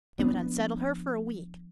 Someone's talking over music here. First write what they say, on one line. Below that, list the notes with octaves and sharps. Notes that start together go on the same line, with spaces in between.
It would unsettle her for a week.
F3 B3 D4